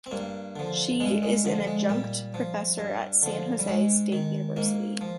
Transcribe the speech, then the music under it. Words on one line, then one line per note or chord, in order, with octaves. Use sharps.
She is an adjunct professor at San Jose State University.
C4
G2 A#3
D3 F3
G2 G#3
G#3
D3 F3
G#3
A#2 G3
F3
G2
D3 F3
G3
G#2 G#3
D#3
G#2 A#3
F3